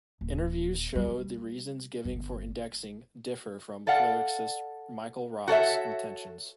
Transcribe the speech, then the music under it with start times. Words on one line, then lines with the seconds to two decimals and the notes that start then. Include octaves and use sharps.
Interviews show the reasons giving for indexing differ from lyricist Michael Roth's intentions.
0.21 D#1
0.95 G3
2.05 G1
3.87 A4 D5 F5 F#5
5.48 F#4 A4 C#5 E5